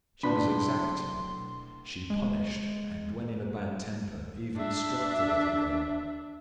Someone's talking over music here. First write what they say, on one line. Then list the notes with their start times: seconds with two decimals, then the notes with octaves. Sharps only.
She was exacting; she punished, and, when in a bad temper, even struck the little girl.
0.23 B1 A2 D3 D4 B4 B5 C6
2.10 G#3
4.56 D4 E5